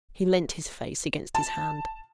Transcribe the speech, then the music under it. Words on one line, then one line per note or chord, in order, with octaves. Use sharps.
He leant his face against his hand.
A5